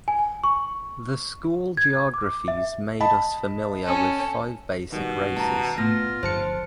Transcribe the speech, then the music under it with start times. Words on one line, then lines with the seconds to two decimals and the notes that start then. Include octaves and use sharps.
The school geographies made us familiar with five basic races.
0.08 G#5
0.44 C#6
1.77 G#6
2.14 D6
2.48 E5
3.00 D#5 A5 B5
3.84 C#4 A4
4.93 B2 D#3 G3
5.37 C#4 A5 A#5
5.78 A2 B3 F4 A#6
6.23 G1 F3 C5 A5 C#7